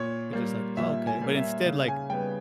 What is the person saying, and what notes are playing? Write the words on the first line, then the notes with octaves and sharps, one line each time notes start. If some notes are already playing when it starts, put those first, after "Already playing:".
They're just, like, "Oh, okay." But instead, like
Already playing: A#2 C#5
G3 A#3
A#2 E5
G#5
G3 A#3
E5
C#3
G#5
G3 B3 G5